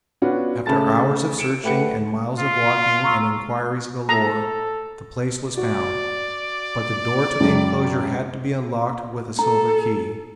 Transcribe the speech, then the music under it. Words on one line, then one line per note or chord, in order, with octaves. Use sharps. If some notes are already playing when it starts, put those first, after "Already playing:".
After hours of searching and miles of walking and inquiries galore, the place was found, but the door to the enclosure had to be unlocked with a silver key.
B3 C#4 D4 F4 F#4
C#3 A3 A5 A6
C#7 D7 E7
A3 G4 B4 F#5 C#7
F4
A#5 C#6 E6
A4 A#5
F#4 D5
C#2 F#2 D4
A4 A#5